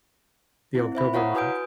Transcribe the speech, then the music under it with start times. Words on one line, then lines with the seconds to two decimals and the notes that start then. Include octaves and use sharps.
the October month,
0.75 C4 E4
0.95 C5 E5 B5
1.13 E4 C#5 F5 F#5 A#5 D#6
1.35 F#4 B4 G#5 D#6 G6 D7